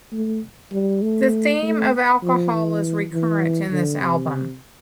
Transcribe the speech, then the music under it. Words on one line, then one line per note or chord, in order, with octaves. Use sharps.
The theme of alcohol is recurrent in this album.
A3
G3
A3
A3
F3
E3
E3
D3
C3